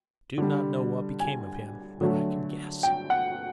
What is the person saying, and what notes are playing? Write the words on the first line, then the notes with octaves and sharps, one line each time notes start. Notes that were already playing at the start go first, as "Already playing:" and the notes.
I do not know what became of him, but I can guess.
D3 G3
G#5
D3 F#3 A3
G5
F#5